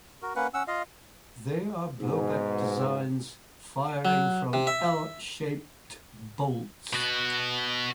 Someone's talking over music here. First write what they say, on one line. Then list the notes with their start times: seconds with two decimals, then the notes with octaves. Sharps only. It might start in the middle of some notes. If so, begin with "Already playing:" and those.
They are blowback designs firing from "L"-shaped bolts.
0.22 F#4 A#4
0.36 A#3 C#4 B4 F#5
0.54 C#4 F#5 E6
0.68 F4 D#5 F5
1.99 G#2 B2
4.05 F#3
4.53 C3
4.67 E5
6.93 B2 F#4